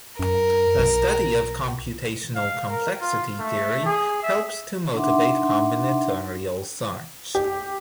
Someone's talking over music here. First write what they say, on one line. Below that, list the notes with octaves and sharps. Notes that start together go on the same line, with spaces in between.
A study of computational complexity theory helps to motivate combinatorial search.
F#2 A#4
B1
F5
A#4
F4
A3
G#4
E5
D4 D#4 E5 F#5 C6 D6
G4